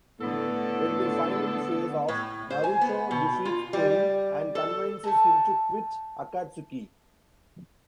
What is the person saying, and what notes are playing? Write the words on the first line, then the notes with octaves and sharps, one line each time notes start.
When they finally face off, Naruto defeats Pain and convinces him to quit Akatsuki.
A2 D3 A3 B3 A4
A2
C5
G#5
B3
B2
F4
G3
A4
A3 A5